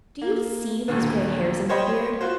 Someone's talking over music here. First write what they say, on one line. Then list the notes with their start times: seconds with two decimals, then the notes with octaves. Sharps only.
"Do you see those grey hairs in my beard?"
0.21 A#3
0.88 E1 D#2 A#2 D3
1.69 C5 C#5 D#5 G5 B5
2.21 F4 F#4 C5